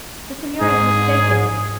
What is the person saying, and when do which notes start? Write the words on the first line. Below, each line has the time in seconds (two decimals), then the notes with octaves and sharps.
'The Signor is mistaken.
0.61 G#2 G#4